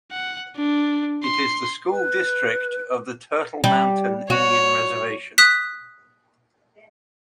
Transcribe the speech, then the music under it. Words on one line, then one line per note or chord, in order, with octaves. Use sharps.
It is the school district of the Turtle Mountain Indian Reservation.
F#5
D4
C6
B4
G3
F#4 C#5
D#6 F#6 B6